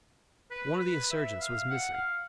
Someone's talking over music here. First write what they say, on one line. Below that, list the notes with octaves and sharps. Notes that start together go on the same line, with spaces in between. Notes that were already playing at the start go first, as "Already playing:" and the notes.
One of the insurgents was missing.
B4
B4
E5
F5
F#5
F5